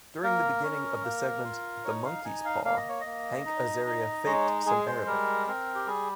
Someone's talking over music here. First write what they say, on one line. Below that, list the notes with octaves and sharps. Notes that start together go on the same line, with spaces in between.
During the beginning of the segment "The Monkey's Paw", Hank Azaria faked some Arabic.
A#3 A#4
C#4
A#3
F4
D#4 C#5
F5
D#4 G#5
F5
A#3 F5
D#5
C#5
A#3 D#5
D#4
D#4
G#3 C#5
G#3 G#4
C5
G3 A#4
C4 A#4
G4
G3 G#4